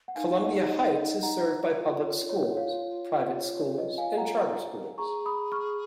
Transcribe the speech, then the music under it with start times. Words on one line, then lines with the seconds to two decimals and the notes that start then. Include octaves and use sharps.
Columbia Heights is served by public schools, private schools, and charter schools.
0.08 F#5
0.16 D#4 F5 G#5
0.42 D#5 F#5
0.69 D#5 F#5
0.96 D#5 F#5
1.23 F#5 A#5
1.50 B4
1.77 F4
2.03 C#5
2.30 C#5
2.57 C#5 F5
3.38 C#5
3.58 C#5
3.78 B4 D#5
3.98 F5 G#5
4.17 F#5 A#5
4.98 G#4 A#5 C#6
5.26 B5 D#6
5.52 C#6 F6